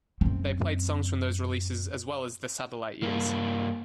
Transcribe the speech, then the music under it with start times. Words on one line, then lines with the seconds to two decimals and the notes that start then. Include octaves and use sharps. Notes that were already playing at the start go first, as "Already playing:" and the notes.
They played songs from those releases as well as "The Satellite Years".
0.21 F#2 C4
3.03 G2 A#3